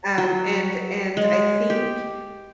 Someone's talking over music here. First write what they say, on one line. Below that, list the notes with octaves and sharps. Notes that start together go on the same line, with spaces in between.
Um, and and I think
F#3
G#3
G4